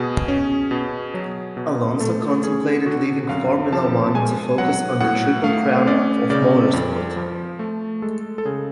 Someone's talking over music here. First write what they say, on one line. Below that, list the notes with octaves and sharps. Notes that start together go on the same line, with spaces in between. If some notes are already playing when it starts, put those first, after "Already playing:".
Alonso contemplated leaving Formula One to focus on the Triple Crown of Motorsport.
Already playing: B2 G#4
C#4
B2
F#3
B2
A3 A4
C#4 G#4
D3 F#4
F#2 F5
F3 A5
G#3 G#5
F#3 F#5
A2 F#5
A3 F5
C#4 D5
C#3 D5
F2
F3
A3
G#3 A4
A4
C#3 G#4